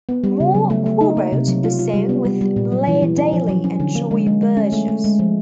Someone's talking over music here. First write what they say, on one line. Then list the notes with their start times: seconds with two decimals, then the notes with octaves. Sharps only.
Moore co-wrote the song with Blair Daly and Troy Verges.
0.09 B3
0.24 G3
0.40 C#3
0.55 F#3
0.70 A3
0.86 A3
1.01 D#4
1.17 A#3
1.32 C3
1.48 F#3
1.64 F4
1.79 F4
1.94 G3
2.09 B3
2.25 G3
2.41 G3
2.56 A#2
2.72 F#3
2.88 E3
3.02 E3
3.18 C#4
3.33 F3
3.49 F#3
3.64 C#4
3.80 D3
3.95 A#3
4.11 G#3
4.27 G#3
4.42 G#3
4.57 C#4
4.72 A3
4.88 A3
5.04 G#3
5.19 F3